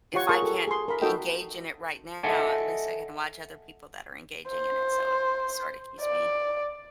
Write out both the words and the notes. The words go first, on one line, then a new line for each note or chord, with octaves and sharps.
If I can't engage in it right now at least I can watch other people that are engaging in it, so it sorta keeps me
F4 G4 C#5 F#5 C#6
F4 G#4 A#4 C#6
G4 A4
G#4 C6
A#4 B5
D#4 F#4 A4 D#5 G5
A4 D#5 E5 F#5 G#5 A5
C5
D5